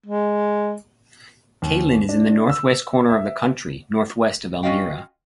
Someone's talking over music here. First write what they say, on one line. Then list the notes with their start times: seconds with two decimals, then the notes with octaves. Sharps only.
Catlin is in the northwest corner of the county, northwest of Elmira.
0.06 G#3
1.62 D#2
2.09 D4
2.50 E6
3.10 E5
4.63 C#4 F4 F#4 D#5 F5 G5